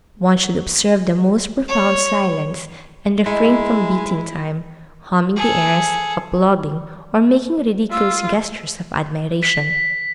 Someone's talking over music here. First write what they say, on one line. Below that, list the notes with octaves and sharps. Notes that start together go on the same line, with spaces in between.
One should observe the most profound silence, and refrain from beating time, humming the airs, applauding, or making ridiculous gestures of admiration.
C#5
G#3 D#4 E4
G#4 A4
F4 E6
B6